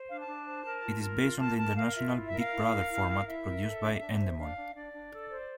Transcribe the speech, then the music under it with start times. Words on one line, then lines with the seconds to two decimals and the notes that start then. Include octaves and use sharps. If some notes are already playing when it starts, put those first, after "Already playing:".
It is based on the international "Big Brother" format produced by Endemol.
Already playing: C5
0.09 D4 F5
0.18 A5
0.27 D4
0.46 C5
0.65 A#4
0.83 F4
1.02 A#4
1.21 F4
1.39 A#4 A5
1.58 A#4 A5
1.77 A#4 F5
1.95 F4 E5
2.14 E4
2.26 E5
2.32 A#4
2.38 F5
2.51 E4
2.70 A#4
2.88 E4
3.07 A#4
3.26 E4 E5
3.45 A#4
3.63 A4
3.81 D4
4.01 D4
4.19 C5
4.37 D4 F5
4.56 D4
4.74 D4 D5
4.93 D4
5.12 A4
5.31 C5